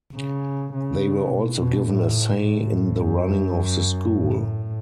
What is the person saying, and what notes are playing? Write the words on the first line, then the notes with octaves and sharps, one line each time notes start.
They were also given a say in the running of the school.
C#3
C#3
B2
B2
A2
A2
F#2
A2